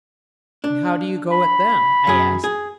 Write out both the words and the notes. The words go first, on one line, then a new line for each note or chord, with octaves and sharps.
"And how do you go at them?" I asked.
D4
B5
F#2 G#4
G#4